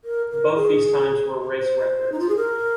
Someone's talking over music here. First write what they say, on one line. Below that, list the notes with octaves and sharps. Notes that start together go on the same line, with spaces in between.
Both these times were race records.
A#4
A#4
G#4
C5
D#4
F4
G#4
A#4